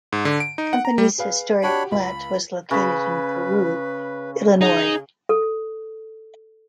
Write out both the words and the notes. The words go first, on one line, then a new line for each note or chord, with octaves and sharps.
The company's historic plant was located in Peru, Illinois.
G#2
D3
D7
D#4
F#5
A#5
G3
G#4 B4 F5
D4 F#4 G4 C#5 B5
C#2 B5
C#3 B4 B5
D#4 G#4
A4